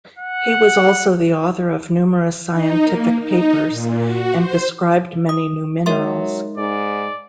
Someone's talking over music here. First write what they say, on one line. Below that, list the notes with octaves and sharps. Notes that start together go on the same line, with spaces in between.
He was also the author of numerous scientific papers, and described many new minerals.
F#5
D#4
A#3
D#4
A#2
F#4
C5
D#6
F#3 G#3 D#4 A#4 E5 C6
G#2 D5